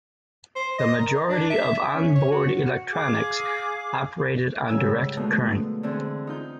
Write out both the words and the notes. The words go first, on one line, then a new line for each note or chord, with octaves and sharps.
The majority of onboard electronics operated on direct current.
C5
D#5
A#4
D4
E5
C#4
C#5
F#4
G#4 F5 D6
G#2 C#3 G3 G#5 E6
B2 D3 F3 G#3 A3
D3 E3 C4 G#4
D#4 F4 G6